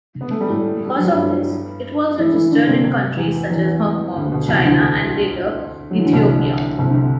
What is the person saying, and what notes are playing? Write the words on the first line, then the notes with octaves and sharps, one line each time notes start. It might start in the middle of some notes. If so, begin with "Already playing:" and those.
Because of this, it was registered in countries such as Hong Kong, China and later, Ethiopia.
B3
A3
G3
A2 A3
G3
F#3
G2 G3
E3 E4
E3 E4
D3 D4
C3 C4
C3 C4
E2 E3
E2 E3
D2 D3
B2
C2 C3
E3
D2 D3
F#3
E3
D3
C2 C3
C2 C3
D3
C3